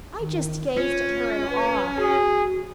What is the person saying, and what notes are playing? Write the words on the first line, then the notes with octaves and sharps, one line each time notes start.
I just gazed at her in awe.
D#3
C#4 F4
B4
F#4 G#4